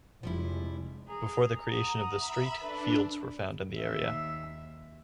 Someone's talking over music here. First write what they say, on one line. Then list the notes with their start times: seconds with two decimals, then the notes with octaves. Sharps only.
Before the creation of the street fields were found in the area.
0.23 F1 F3 G3 G#3 E4
1.08 G#4 A#5
1.69 F#5 D#6
2.15 E5 B5
2.60 D4 A4 B4
3.74 D#2 E5